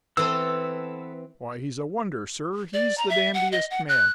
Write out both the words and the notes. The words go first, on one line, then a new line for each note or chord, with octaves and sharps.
Why, he's a wonder, sir; he's the dandiest man.
E3 B3 C4 A4 E6
D5
A#5
E5
F#5
D#5
F#5
F#6